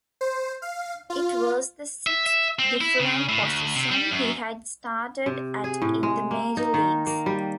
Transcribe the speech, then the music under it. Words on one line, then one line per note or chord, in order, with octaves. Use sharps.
It was the sixth different position he had started at in the major leagues.
C5
F5
F4
E5
E5
C4
E4
C#3
A2
D2
C3
G3
F#2
C3
G#4
A2
G#3
A#3
D#4
D#3
A#3
G3